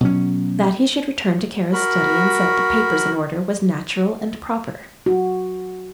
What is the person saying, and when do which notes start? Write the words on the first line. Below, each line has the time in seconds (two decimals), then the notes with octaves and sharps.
That he should return to Kara's study and set the papers in order was natural and proper.
0.01 B2 F#3 C#4
1.73 F#4 A#4 B5
5.06 F#4